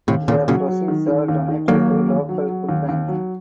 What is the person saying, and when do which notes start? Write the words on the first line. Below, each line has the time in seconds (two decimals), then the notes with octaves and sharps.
The proceeds are donated to local food banks.
0.08 D#2 A2 C3
0.28 D#2 A#2 C#3
0.48 A#2 C#3 F#3
0.68 F#3
0.88 D#3
1.08 D#3
1.28 D#2
1.49 D#3
1.68 D#2 F#3 A#3
1.88 D#2
2.09 D#2
2.29 F#3
2.49 F#3
2.69 D#2
2.89 D#2
3.08 F#3